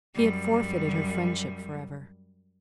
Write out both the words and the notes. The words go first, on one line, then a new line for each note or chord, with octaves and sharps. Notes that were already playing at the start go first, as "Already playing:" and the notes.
He had forfeited her friendship for ever.
F#2 G3